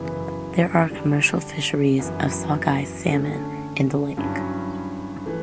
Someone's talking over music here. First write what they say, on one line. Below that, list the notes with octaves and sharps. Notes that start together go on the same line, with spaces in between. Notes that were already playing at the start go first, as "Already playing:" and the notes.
There are commercial fisheries of sockeye salmon in the lake.
Already playing: F#2 C#3 E3 B3 E4
D3 G3 D4
F#2 E3 B3
D3 A3 C#4
G2 F#3 C#4 E4
E3 A3